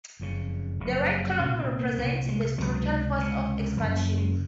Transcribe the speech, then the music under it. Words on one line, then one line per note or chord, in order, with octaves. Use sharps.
The Right column represents the spiritual force of expansion.
F#1 F2 C#3
F#1 F2 C#3
C2 A#2 C#4
C4
A#3
C2 A#2 A#3
G#3
C#2 C3 F#3
C#2 C3
F#1 F#2 C#3 F3
F3
G#3